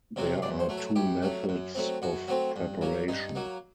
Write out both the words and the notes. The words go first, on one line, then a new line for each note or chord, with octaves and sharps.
There are two methods of preparation.
C3 F#3 C4
F#2 D5
C5
F#3 A3
A4
F#2 G4
F#3 A3
F#2
F#3 A3 C4
F#2 F#4
F#3 A3 C4
G2
F#3 A#3
G2 D#4
F#3 A#3